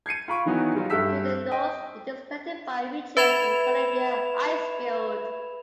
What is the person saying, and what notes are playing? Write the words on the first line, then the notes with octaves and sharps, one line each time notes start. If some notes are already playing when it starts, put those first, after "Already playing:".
To the north it is connected by ridges to the Columbia Icefield.
G#6 C7 C#7 D#7
F4 B5 C#6 D7
D#3 E3 F#3 B3 D#4
D#3 F#3 G3 D#4 F4
G2 G4 A4 E5 E6 B6
D#5 G5
B4 E5 B5 G#6 E7 F7